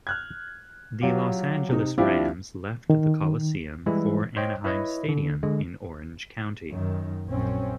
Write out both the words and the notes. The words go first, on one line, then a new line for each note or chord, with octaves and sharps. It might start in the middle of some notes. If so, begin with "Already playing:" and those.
The Los Angeles Rams left the Coliseum for Anaheim Stadium in Orange County.
F6 F#6 G#6
F#3 F4 G4
C3 D#4
F3 C4 D4 E4 F4 G4
D#3
E3 G3 G#3 E4
C5 C#5 D#5 G5
E4 B4 C#5 D#5
D3
D3 G#3
F#2 D#3
A#1 F#2 C4 C#4